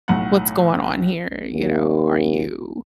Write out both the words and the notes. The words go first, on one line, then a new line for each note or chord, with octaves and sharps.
what's going on here, you know, are you
B1 A2 F#5
D#2